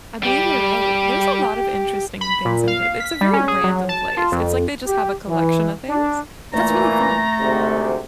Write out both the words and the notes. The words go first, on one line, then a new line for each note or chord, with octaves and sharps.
I believe you're right. There's a lot of interesting things in Pitt it's a very random place. It's, like, they just have a collection of things, but that's really fun.
G3 G4
B5
A#2
F5
B6
G3
C#4
G#4
F#3
A5
F4
F2
G4
E3
D4
A#2 E3 A3 A#5
D2 G#2 C3